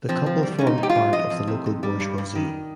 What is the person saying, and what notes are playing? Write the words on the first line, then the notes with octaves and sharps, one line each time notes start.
The couple formed part of the local bourgeoisie.
F3 C4
F3
G3
G#2 C#4
D#4
G#2
G4
F4
G3
F2 D#5
F2
C3
F2
G3
G2
G2
D#3